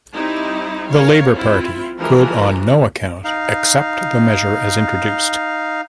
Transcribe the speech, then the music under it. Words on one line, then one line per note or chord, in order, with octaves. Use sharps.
The Labor Party could on no account accept the measure as introduced.
G3 C4 D#4 E4
A#4 C#5 F5
C4 E4 F4
E3 F3 G#3 A#4
D#4 F5